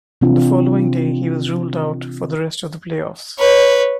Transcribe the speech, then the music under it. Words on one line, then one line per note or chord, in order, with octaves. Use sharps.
The following day, he was ruled out for the rest of the playoffs.
C3 E3 C4 D4 F4
B4 C#5